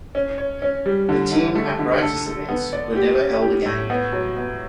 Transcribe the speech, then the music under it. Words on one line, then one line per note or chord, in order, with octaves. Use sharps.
The team apparatus events were never held again.
C#4
C#5
C#4
G3
D3
D3
A3
D3
A4
A4
B3
D5
G4
C#4
G4
A2
B3
F#3
B3